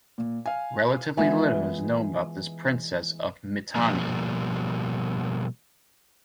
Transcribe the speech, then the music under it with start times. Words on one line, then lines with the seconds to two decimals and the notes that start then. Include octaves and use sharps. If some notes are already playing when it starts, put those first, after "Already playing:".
Relatively little is known about this princess of Mitanni.
0.18 A#2
0.46 F5 G#5
1.17 E3 G#3 B3 F4 E5 G#5
3.75 B2 F3 G3 A#3